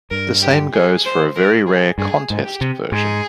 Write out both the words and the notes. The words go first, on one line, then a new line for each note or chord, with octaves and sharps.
The same goes for a very rare "contest" version.
G2 A#4
G4
G#4
C5
A#4
G#4
G2 G#4
G#2
G4
C3
G#2 G#4